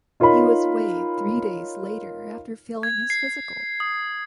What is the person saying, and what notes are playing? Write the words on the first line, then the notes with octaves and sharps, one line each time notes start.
He was waived three days later after failing his physical.
D#4 F4 A#4 C#5 B5
G#6
C7
D#6